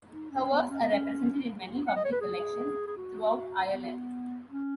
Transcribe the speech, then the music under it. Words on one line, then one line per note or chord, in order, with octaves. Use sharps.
Her works are represented in many public collections throughout Ireland.
D#4
C#4
C#4
B3
C#4
B3
C#4
F#5
D#5
C#5
B4
G#4
G#4
F#4
B3
C#4